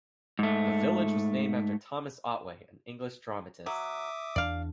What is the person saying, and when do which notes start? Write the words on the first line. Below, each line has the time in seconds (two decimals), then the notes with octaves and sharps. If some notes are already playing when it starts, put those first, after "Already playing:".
The village was named after Thomas Otway, an English dramatist.
0.39 G#2 A3
3.66 F#3 E5 D6 D#6
4.36 E2 D4 D5 F5